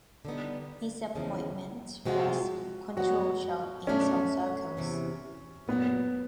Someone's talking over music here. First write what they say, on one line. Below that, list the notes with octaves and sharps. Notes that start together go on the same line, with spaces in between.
His appointment was controversial in some circles.
D3 G3 B3 D#4
E2 C#3 F3 G#3
C3 F3 G#3 C4 F4 F#4
D3 F#3 B3 F#4
E2 B2 F#3 A3 C#4 D4
E2 C3 E3
A#2 F#3 A#3 B3